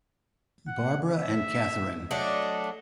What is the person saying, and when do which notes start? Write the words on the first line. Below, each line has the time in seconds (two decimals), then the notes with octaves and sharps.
Barbara and Catherine.
0.68 F#5
1.07 E5
2.11 F#3 A3 D4 D#5